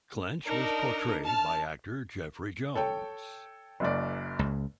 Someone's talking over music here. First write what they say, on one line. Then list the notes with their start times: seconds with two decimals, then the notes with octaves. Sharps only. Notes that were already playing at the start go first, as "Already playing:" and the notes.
Clench was portrayed by actor Jeffrey Jones.
0.46 D4 D#4 A#4
1.25 A5 F6
2.75 A4 C#5 G5
3.80 F#1 F#2 D5
4.39 C#2